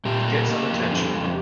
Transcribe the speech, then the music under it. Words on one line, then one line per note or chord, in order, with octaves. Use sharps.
Get some attention.
A#2 G4
A#3
A#3
F2
D3
F2